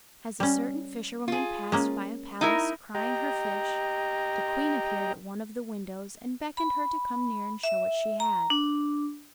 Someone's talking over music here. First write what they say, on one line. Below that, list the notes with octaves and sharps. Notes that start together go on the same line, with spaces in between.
As a certain fisherwoman passed by a palace crying her fish, the Queen appeared at one of the windows and beckoned her to come near and show what she had.
G3 C#4
F4 G#4
G#3 A#3 C#4
D#4 E4 A#4
G4 D#5 G5 A#5
B5
E5
A#5
D4